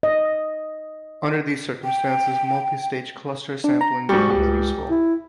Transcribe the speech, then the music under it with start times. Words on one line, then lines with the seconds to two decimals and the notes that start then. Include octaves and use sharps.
Under these circumstances, multistage cluster sampling becomes useful.
0.03 D#5
1.84 G5
3.64 D4
3.81 A#5
4.09 G#2 F#3 G3 C#6
4.30 C#2 G4
4.90 E4